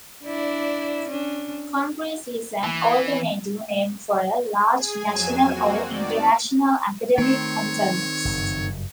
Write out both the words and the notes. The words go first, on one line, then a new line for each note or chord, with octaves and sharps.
Congress is an alternative name for a large national or international academic conference.
D4 E4 D5
C#4 D4
E3
G#4 G#5
F2 F#3 G#5 E7
A#3 C4 F#4
D#3 D5
D#3 A3 C4 C#5
F#1 G2